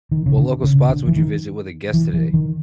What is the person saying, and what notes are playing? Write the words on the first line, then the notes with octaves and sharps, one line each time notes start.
What local spots would you visit with a guest today?
D#3
C#3
D3
C#3
D3
E3
D#3
E3
E3
D#3